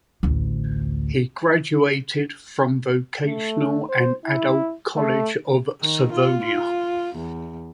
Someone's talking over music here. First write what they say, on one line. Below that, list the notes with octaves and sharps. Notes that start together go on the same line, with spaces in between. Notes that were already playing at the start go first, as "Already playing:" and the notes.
He graduated from Vocational and Adult College of Savonia.
A1 D2
A3
C5
E4
A3
D#3
F4
F4
E2